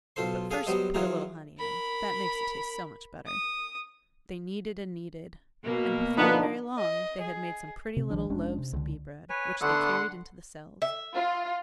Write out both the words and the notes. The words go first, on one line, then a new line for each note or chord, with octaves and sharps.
"But first put a little honey in--that makes it taste so much better." They kneaded and kneaded, and before very long they had made some pretty little loaves of Bee bread, which they carried into the cells.
B1 F4 A4 C5 C6
G#4 A4 F5 G5 G#5
F#3 G3 B3 C5 D#5
E3 F#3 F4 G#4 A#5
A#4 B5
D#6
B2 A#3
D3 F3 B3 D#4 F4
D#5
G#4
C3
A#1 D#3 F3 D4
F1 G#3 C#4 D4
C3
C#2 D3
B4 C#5 G#5
D3 A3 B3 D4 F#5 C6
E5
F4